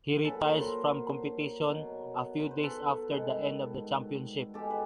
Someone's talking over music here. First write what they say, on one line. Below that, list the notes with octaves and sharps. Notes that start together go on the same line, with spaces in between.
He retires from competition a few days after the end of the championship.
A#2 F#3 A4 B4
A#4
B4
A#4 C5
B2 F#3
B4
C5
A4 B4
G#2 D#3 G3
B2 G#3 G4 A4
B4